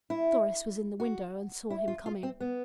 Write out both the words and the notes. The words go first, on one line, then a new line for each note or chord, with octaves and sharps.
Doris was in the window and saw him coming.
E4
F#4
E4
F4
F4
C4
B3